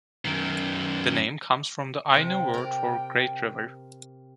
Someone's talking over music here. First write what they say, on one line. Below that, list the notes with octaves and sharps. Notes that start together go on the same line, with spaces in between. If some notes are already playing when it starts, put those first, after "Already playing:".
The name comes from the Ainu word for "great river".
F#2 D#3
C3 C4 G5
A#4 D5